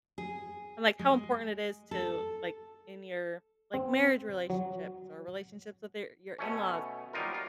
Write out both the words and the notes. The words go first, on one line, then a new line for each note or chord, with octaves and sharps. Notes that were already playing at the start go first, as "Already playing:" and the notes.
And, like, how important it is to, like, in your, like, marriage relationships or relationships with your your in laws.
G#4
G#3
A4
C4
F#3
B2 A3 C#4
F#3 G3 A#3 D#4 F4 A#4
F4